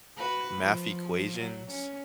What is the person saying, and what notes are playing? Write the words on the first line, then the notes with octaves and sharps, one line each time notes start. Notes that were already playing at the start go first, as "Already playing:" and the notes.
math equations
F#4 B4
F3
F#3
C#4